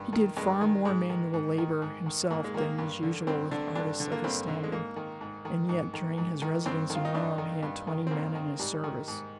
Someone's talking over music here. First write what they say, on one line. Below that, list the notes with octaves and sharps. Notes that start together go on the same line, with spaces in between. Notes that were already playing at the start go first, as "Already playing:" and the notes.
He did far more manual labor himself than is usual with artists of his standing, and yet, during his residence in Rome he had twenty men in his service.
Already playing: G2 D#3
D#3
G2 G#3
D#3
G#2 G#3
D#3
G#2
D#3
G#2
D#3
G#2 A#3
G#3
D#3 A#3
G2
D3
G2 C4
D3 D4
G2 D4
D3
A#3
G2 C4
D3
G#3
G#2 A#3
D#3
G#2
D#3
G#2
D#3
G#2
D#3
G2 C4
D#3
F4
D#4
G2 D4
D#3
G2
D#3
C4
G2 A#3
D#3
G#2 G3
D#3
G#2